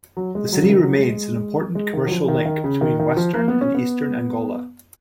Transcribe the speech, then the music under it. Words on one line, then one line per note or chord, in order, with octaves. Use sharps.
The city remains an important commercial link between western and eastern Angola.
F#3
G#3
G#3
F#3
C#3
D#3
F#3
G#3
G#3
G#3
D#3
F#3
F3
D#3
D#3
C#3
D#3
D#3
F3
A#3
B3
C#4
B3